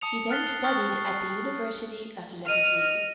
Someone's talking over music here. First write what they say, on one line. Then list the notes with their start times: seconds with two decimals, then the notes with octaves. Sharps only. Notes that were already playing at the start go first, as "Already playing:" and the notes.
He then studied at the University of Leipzig.
0.01 A5 D#6 C#7 F7
0.30 F6 F#6 A6 B6 C7 G7
0.64 C#6 D#6 F6 A6
0.98 C7
2.48 D#5 F6 D#7 F7